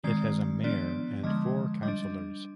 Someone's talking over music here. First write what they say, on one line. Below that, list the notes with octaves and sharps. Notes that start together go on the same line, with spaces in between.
It has a mayor and four councillors.
D#3 G#3 C4 D5
F3 B3 D4 D5
D3 F3 G#3 D#5
G3 D#5
D4